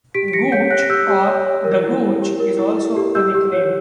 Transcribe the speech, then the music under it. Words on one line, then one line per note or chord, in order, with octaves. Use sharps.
Gooch or the Gooch is also a nickname.
G4 B6 D7
D7
G4 A#6 C#7
C#5 G6 B6
C#5 F#6 A#6
A#6
G4 E6 G6
G4
C#5
C#5
A#4
E4
E4
G4
A#4
E4
E4
G4
G4 E6 G6
G4
C#5